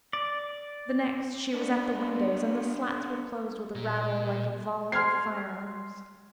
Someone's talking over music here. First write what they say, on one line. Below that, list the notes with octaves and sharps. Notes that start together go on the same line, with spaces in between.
The next she was at the windows and the slats were closed with a rattle like a volley of firearms.
D5
B3 D4
A#2
C6 F6 G#6 C7